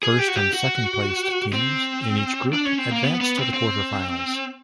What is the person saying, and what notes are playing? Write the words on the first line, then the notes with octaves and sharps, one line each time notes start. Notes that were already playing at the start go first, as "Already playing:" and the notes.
First and second placed teams, in each group, advance to the quarter-finals.
G#4
G4
F#4
G4
F#4
C4
D4
C#4
C4
A#3
B3
B3
C4
C4